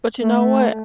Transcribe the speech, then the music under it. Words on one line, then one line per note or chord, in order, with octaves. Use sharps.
But, you know what?
A3